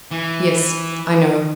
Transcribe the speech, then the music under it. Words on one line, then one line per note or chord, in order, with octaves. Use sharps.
Yes, I know.
E3